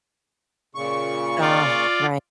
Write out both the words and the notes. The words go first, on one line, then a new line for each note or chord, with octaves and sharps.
Ah, righ
A#2 C#3 C#6
F4 D5